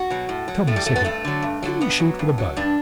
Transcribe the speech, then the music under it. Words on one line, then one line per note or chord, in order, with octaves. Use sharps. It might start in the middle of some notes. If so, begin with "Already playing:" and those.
"Tell me," said he, "can you shoot with a bow?"
Already playing: F#4
B2 F#3
A2
F#3
A2 A3
G3
F#3 A3
B3
G2 A3
D3 F#3
G2
D3 F#3
G2 B3
F#3
G2
F#3
G2 D4